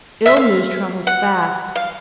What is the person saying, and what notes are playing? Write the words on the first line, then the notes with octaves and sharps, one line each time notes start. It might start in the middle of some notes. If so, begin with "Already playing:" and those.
Ill news travels fast.
E5
F5
F#5
F5